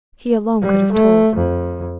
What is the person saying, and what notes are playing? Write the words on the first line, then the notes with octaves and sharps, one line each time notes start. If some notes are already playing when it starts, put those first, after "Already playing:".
He alone could have told.
G3
A3
F2